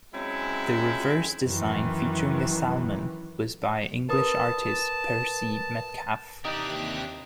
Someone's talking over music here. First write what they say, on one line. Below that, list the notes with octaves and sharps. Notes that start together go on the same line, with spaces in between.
The reverse design featuring a salmon was by English artist Percy Metcalfe.
F#3 G#3 C4 C#4 E4
F#2 D#3 E3
A#4 B4 A5 D#6
D#2 C3 E3 D4 D#4 G4 F#6